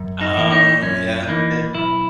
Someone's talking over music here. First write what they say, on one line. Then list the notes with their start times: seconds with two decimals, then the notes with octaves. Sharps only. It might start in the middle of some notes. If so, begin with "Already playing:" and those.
Oh, yeah. Yeah.
Already playing: F#2
0.21 D#4
0.37 E3 A#3
0.52 D#4
0.82 F#2 C#4
1.28 E3 A#3 D#4
1.74 B1 E4